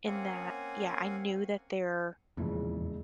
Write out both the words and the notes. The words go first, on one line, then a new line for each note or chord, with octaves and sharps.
in that Yeah, I knew that there
A#3 C4 C#4 F5 F#5 G#5
E1 F2 A#2 C#3 E3